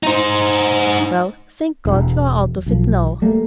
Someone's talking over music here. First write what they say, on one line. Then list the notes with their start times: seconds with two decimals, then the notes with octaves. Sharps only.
"Well, thank God you're out of it now!"
0.03 D#4 C5
1.85 E1
2.66 B1 F3
3.22 G3 A3 A#3